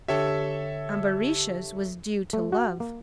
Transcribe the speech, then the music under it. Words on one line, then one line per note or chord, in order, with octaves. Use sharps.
Ambarisha's was due to love.
D3 G4 A4 C#5 E5
A3
F#4
A#3